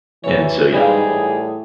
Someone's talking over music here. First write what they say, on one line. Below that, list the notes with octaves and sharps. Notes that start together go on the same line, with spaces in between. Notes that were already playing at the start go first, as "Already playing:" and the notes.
and so, yeah.
D#3 E3 A4 C#5
G#2 E3 G3 A#3 D#4 F4 G#4
A2 G4